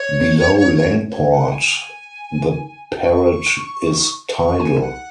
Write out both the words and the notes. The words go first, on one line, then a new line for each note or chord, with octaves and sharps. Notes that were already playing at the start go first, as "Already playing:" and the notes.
Below Langport the Parrett is tidal.
Already playing: C#5
C#5
F#5
G#5
C#6
C#6
G#5
F#5